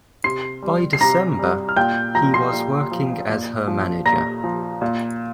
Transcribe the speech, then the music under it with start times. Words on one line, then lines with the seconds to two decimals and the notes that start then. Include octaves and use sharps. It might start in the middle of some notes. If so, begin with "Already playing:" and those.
By December, he was working as her manager.
0.24 C3 C6 C7
0.62 G3
0.93 C7
1.01 C3 A#5 A#6
1.39 G3
1.69 F6
1.77 A#2 G5 G6
2.15 F3 A#5 A#6
2.34 C6 C7
2.53 A#2
2.92 F3
3.29 A#2
3.68 F3
4.06 A#2 A#5 A#6
4.44 F3
4.82 A#2